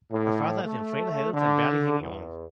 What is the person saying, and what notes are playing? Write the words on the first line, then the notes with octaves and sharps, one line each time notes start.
Her father is in frail health and barely hanging on.
A2
A3
D3
E2